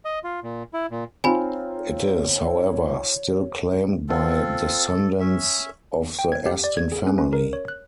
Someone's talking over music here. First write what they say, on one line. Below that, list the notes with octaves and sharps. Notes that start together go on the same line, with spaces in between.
It is, however, still claimed by descendants of the Aston family.
D#5
F4
A#2
E4
A#2
C4 D#4 F4 C#5 G#5 B5
C4 F4 A4
A4
C#4 E5
G5
G#6
G4
D5
G#6
G#4
C#4
C#4
A#4
C#5
F#6